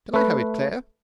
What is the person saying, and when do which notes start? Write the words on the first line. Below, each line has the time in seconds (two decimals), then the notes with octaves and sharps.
Can I have it, Claire?
0.14 A3 B4